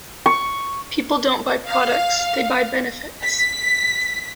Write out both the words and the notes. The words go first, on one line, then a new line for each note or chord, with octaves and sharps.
People don't buy products, they buy benefits.
C#6
F5
B6